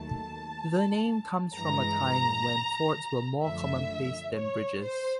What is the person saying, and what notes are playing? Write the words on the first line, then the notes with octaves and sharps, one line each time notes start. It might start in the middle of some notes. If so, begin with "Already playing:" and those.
The name comes from a time when fords were more commonplace than bridges.
Already playing: D#2 D#3 F#3 A3 A5
G2 E3 G#3 A#5
F#2 D3 F3 A3 E5
C#5
C5